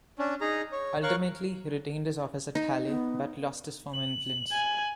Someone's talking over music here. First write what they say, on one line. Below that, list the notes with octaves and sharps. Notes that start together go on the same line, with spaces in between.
Ultimately, he retained his office at Halle, but lost his former influence.
C#4 D4
D#4 G#4 A#5
C#5
A#4 C#5 F5 C#6 F#6
D#4
B3
F#7
G#5